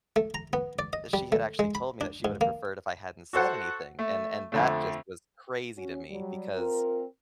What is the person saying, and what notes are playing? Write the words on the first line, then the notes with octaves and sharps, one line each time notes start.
she had actually told me that she would have preferred if I hadn't said anything, and and that just was crazy to me because,
A3
A#5
B3
D5
D#5
G3
A3
G#3
B5
D4
G#2
A#3
F#4 A4 C5 F#5
A3
F2 D3 A3
C#4 F#4
F#3 G3
C4 F4 A#4